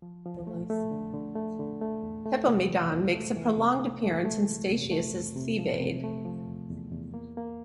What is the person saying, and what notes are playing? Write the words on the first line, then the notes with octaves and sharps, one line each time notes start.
Hippomedon makes a prolonged appearance in Statius' "Thebaid".
F3
F3
A3
A3
D3
D3
A3
D3
A3
E2
A3
C3
E3
E2
A3
E3
C3
A3
A3
A3
E3
C3
A3
F2
C3
F3
C3
A3
F3
E2
E2
E2
A#3
A#3